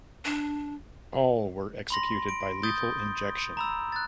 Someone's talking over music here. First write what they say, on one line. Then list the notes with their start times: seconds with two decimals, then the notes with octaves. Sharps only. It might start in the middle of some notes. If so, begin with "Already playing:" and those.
All were executed by lethal injection.
0.25 D4
1.90 B5 C6 A#6
2.29 D7
2.63 D#6 G6 A6 G7
2.77 G6
3.57 A#5 B5 E6
3.92 F#6 A6